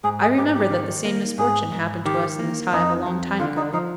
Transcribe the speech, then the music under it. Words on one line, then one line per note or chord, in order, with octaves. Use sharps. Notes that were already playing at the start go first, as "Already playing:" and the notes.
I remember that the same misfortune happened to us in this hive a long time ago.
G#2 G#4
G#4
G#2 G4
G4
D#3
A#3
G#2 G#4
G#2
D#3 G4
A#3
F2 D#4
F2
D3 F4
D#4
F3 D#4